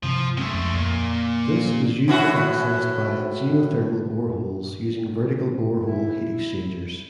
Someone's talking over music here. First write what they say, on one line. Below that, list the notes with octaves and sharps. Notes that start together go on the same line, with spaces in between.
This is usually accessed via geothermal boreholes using vertical borehole heat exchangers.
G2 C3 E3 F3
G#3 A3 C4 C#4
F2
F2 A#2
A2 E3 F#4
E4